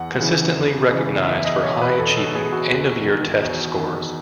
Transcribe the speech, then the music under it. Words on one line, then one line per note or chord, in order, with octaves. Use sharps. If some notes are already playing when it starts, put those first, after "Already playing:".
Consistently recognized for high achieving end of year test scores.
Already playing: E2 F#5
C#3 E3
E2
C#3 E3
E2 E5
D#5
B2 C#5
B4
E2 A4
A4
B2 G#4
F#4
E2
D#3
E2
D#3